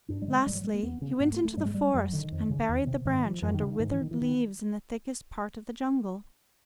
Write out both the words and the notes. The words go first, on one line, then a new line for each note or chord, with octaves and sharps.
Lastly, he went into the forest and buried the branch under withered leaves in the thickest part of the jungle.
G2 D4
G3
D3 G#3
G#2 G3
F#3
G#3
A#3
E2 B3
C#3 C#4
G#2 B3
A3
A3
G#2 G3
G#3
G3
F#2 F#3
D3 D#3
F2
C#3
E2
C3
G#2 D#3
F3
F#2 F3
D#3
C#3
D#3
G#2 D#3
E3
D#3
E3
D#3